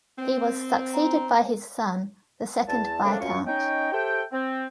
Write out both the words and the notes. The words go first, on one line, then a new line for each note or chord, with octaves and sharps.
He was succeeded by his son, the second Viscount.
C4
A#5
E2 A5
C#3 A3 A#3 C4 D4
F#2 F4 C#6
C#4 D#4 C#5 D#5 G5
G4 A4 C5 E5 G5
C4